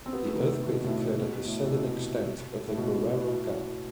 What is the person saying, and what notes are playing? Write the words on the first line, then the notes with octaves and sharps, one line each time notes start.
The earthquake occurred at the southern extent of the Guerrero Gap.
C4
B3
A3
D#3
C3
C3
B2
A2
A2
B2
A2
C3
B2
A2
B2